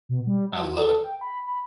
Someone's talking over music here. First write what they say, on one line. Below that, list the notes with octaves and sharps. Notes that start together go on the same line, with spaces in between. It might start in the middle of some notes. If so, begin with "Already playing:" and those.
I love it.
B2
G3
F#4
A4
G5
B5
B5